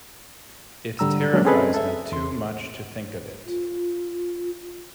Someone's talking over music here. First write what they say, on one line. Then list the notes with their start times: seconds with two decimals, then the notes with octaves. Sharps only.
It terrifies me too much to think of it.
0.99 G#2 D3 G3 A#5 E6
1.33 D3 F#3 G#3 A#3 C#4 D4
1.45 C4 C#4 G#4 A4 B4 D#5
1.74 A4 E5
2.12 E2 C6
3.46 F4